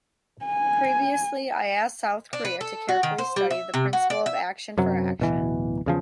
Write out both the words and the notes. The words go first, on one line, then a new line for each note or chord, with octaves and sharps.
Previously, I asked South Korea to carefully study the principle of action for action.
G#5
D4
B4
A4
F#4
D#3
C5
G3
E5
C3
F#4
D5
E5
F#2 C3 F#3
D1 B2 E3
E2 C#3 F3